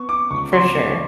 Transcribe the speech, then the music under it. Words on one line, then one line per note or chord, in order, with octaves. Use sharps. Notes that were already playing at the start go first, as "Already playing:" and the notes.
For sure.
Already playing: B3 C#6
D6
C#2 C#6
C6